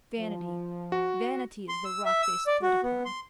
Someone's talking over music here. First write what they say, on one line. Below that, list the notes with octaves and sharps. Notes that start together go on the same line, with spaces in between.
Vanity--vanity is the rock they split upon.
F3
F#4
C6
E6
E5
E6
D5
F#4
B3
C6